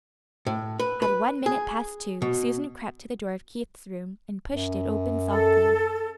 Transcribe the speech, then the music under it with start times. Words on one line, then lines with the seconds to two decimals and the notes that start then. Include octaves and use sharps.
At one minute past two Susan crept to the door of Keith's room and pushed it open softly.
0.47 A2
0.79 B4
1.02 B4
1.46 G#4
2.22 B2
4.52 F#2
5.28 A4